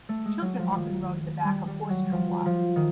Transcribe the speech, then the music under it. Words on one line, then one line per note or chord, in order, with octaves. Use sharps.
Children often rode in the back of horse travois.
A3
G#3
F#3
F3
D#3
G3
G3
F#3
F3
F3
D#3